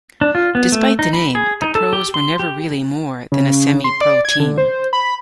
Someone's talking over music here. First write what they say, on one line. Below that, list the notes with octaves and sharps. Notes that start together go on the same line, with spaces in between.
Despite the name, the Pros were never really more than a semi-pro team.
D4
F4
B3
A3
D#4
B5
G#4
D#4
A4
G4
C6
G4
C#3
C6
D5
G#6
D3
C5
B5